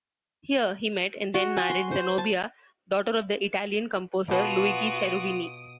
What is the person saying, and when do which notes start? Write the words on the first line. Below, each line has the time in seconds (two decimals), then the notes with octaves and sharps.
Here, he met and then married Zenobia, daughter of the Italian composer Luigi Cherubini.
1.34 F#4
1.57 G#5
1.70 C6
1.91 C5
2.18 A5
4.31 B2 F4 F#4 D#6 D7